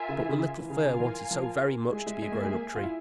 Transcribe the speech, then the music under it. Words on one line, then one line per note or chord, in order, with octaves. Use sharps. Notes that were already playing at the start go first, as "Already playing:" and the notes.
But the little Fir wanted so very much to be a grown-up tree.
Already playing: F4 A#4 E5 G#5
C#3
E3
C#3
E3
C#3 F4 A#4 F5 G#5
C#3
E3
F3
G#3 G#4 E5 G#5
G#3
G#3
A#3
G#3
A#3
F4
E4